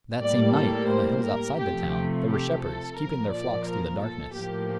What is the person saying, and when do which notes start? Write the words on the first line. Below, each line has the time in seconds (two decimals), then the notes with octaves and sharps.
That same night, on the hills outside the town, there were shepherds, keeping their flocks through the darkness.
0.20 A2 G3 A#3 D5
0.56 A4
0.90 C5
1.25 A#4
1.58 C3 F3 A3 G4
2.28 G4
2.63 A4
2.97 A#2 F3 A#3 A#4
3.32 D5
3.67 A#4
4.02 A4
4.35 A2 F3 A#3 G4